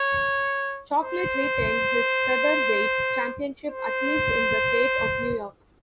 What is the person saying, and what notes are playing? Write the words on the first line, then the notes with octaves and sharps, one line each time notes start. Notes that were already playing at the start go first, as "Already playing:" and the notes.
Chocolate retained his featherweight championship at least in the state of New York.
Already playing: C#5
C5
C5